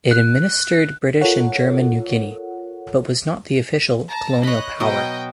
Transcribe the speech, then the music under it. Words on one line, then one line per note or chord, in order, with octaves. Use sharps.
It administered British and German New Guinea, but was not the official colonial power.
F#6
F4 A4 A#4 C#5 F#5
A5 A#5
C#5 D#5 B5 F#6
B2 F#3 D#5 G5